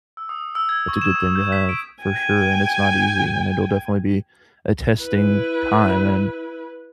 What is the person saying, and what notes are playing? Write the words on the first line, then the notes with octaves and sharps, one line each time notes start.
that's a good thing to have, for sure, and it's not easy, and it'll definitely be a testing time, and,
E6
D#6
E6
G#6
C#6
E7
D#6
G6
B6
D7
G5 G#5
E4 B4